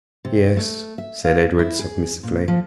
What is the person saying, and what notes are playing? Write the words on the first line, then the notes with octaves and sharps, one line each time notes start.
"Yes," said Edred submissively.
C3
A3
E5
F5
E4
G#4
A#2
F3